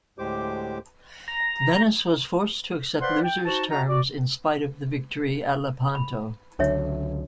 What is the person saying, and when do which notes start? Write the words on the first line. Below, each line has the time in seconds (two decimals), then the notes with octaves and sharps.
Venice was forced to accept loser's terms in spite of the victory at Lepanto.
0.18 D2 A2 G#3 G4 C5 D6
1.28 A#5
3.01 B4 C5 D5 F5 F#5 C6
3.24 G5
3.45 D#4 F#4 C5 A5
3.70 F#4 D#5 F#5 A5 A#5
3.88 F#4 D5
5.95 B5
6.59 C#2 D3 F#3 D4 C#5 E5